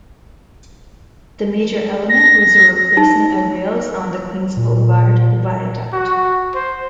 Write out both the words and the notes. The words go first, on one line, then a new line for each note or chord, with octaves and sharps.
The major element was the replacement of rails on the Queens Boulevard viaduct.
A#6
D#4
A#2
F#4
C5